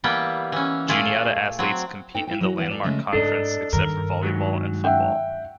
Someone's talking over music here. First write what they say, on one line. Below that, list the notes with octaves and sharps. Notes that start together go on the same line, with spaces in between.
Juniata athletes compete in the Landmark Conference except for volleyball and football.
E3 G3 A#3 B3 G5
E3 C#4
A#2 A3 G#4 D5 F5
F#3 C4
B3 D#4 A4 G5
E4 F5 G5
F#3 F#4
E2 B4 F5 F#5
A4 D5
C#3 G#3 A3 D#5 E5
G#2 D4 A4 D#5
G2 D#3 A#4
G#2 F#3
E5 F#5 G5